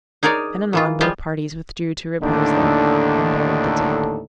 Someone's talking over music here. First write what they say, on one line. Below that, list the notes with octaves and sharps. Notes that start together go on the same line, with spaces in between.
Then anon both parties withdrew to repose them, and buried the dead.
D#4 G#4 A#4 C#5 D5
D#3 E3 F4
F3 G3 G#3 F4 G4
D#2 A2 D3 D4 D#4 A4